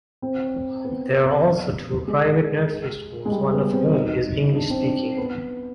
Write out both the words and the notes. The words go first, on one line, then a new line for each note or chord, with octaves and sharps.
There are also two private nursery schools, one of whom is English-speaking.
C4
B3
G#3
G#3
G3
B3
C4
D#4
D4
C4
D4
B3